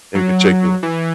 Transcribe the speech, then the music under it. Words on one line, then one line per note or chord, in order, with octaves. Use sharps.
in particular?
F#3
E3